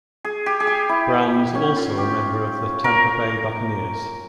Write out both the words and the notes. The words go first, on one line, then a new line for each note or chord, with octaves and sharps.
Brown was also a member of the Tampa Bay Buccaneers.
G#4
G4
G#4
G4
E4
C#4
F4
G4
A#4